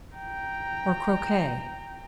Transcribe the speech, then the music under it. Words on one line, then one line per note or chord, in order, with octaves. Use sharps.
Or croquet?
G5 A#5